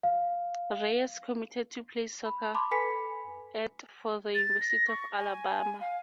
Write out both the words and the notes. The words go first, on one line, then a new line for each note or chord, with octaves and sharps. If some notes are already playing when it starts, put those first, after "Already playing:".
Reyes committed to play soccer at for the University of Alabama.
F5
B5
A5 B5 C6 D6
A4 B4 G#5 B5 B6 C#7
A6
A#6
C#6
G#5
F5